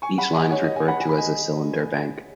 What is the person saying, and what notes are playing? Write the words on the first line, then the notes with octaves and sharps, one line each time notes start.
Each line is referred to as a cylinder bank.
G#5 C#6
F#5 B5
D#5 G#5
C#5 F#5
D#5
D#5 G#5
F#5 B5
G#5
B5
D#5 G#5